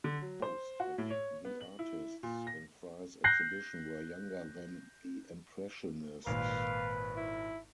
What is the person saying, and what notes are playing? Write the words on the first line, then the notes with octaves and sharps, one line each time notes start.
Most of the artists in Fry's exhibition were younger than the Impressionists.
D3
F#3
C5
F#4
A2
C#5
B3
F#7
E4
A#2
A#6
F#6 G6 A#6 C7
G#1 A#2 B4 F5
E4